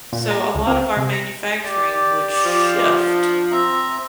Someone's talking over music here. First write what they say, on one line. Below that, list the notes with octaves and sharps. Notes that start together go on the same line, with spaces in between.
so, a lot of our manufacturing would shift.
A#2
A#5
C#2
C4
C3
A#5
G4 D5
F3
D4
C4 E5 A#5